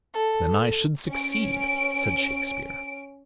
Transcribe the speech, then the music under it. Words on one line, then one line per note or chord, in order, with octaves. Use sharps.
"Then I should succeed," said Shakespeare.
A4
A4
C#4 D7